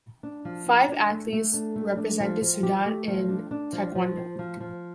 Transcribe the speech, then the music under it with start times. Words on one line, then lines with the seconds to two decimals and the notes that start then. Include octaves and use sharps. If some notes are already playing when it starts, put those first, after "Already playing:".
Five athletes represented Sudan in Taekwondo.
0.23 D4
0.45 F3
0.66 D4
0.88 D4
1.10 A3
1.33 A3
1.54 D4
1.76 A3
1.97 D4
2.20 F3
2.42 F3
2.63 G4
2.85 A3
3.08 F3
3.29 D4
3.51 D4
3.73 F3
3.95 F3
4.16 C5
4.39 F3
4.60 F3